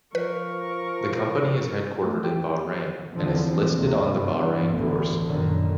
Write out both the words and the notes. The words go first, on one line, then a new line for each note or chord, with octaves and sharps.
The company is headquartered in Bahrain and is listed on the Bahrain Bourse.
F3 A#4 B4 C#6
A3
G4
E2 D3 F3 C4
D#2 C3 A#3
G2 B3
A1 D2 A2 D3 E3 B3
F#2 A#2 D3 D#3